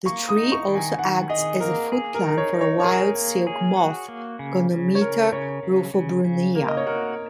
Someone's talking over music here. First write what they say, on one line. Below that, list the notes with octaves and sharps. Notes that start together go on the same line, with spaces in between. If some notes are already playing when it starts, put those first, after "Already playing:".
The tree also acts as a foodplant for a wild silk moth, "Gonometa rufobrunnea".
A#3 C#6
D#6
D#4
C#6
D#3
G#5
D#3 F#5
G#4 D#5
A#3 A#4
G#4
A#4
D#4
C#5
D#4
C#5
C#5
G#4 A#4
A#3
G#4
F#4
A#3
C#3
C#3
C#5
C#3 A#4
C#3 C#5
C#3
C#3
C#3
A#3 A#4
D#5
C#5
F#4 A#4